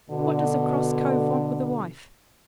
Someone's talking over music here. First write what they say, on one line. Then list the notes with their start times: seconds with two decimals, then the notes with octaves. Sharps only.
What does a cross cove want with a wife?
0.10 B2 D3